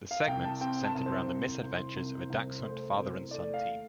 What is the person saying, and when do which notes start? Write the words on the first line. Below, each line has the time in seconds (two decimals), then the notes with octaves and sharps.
The segments centered around the misadventures of a dachshund father-and-son team.
0.11 F5
0.27 C2 G5
0.44 A5
0.61 C4 G5
0.84 A5
0.95 C2
1.06 C5
1.28 C2
1.63 C2
1.96 C2
2.30 C2
2.64 A3 C5
2.97 C2 C5
3.31 A3 D5
3.54 F5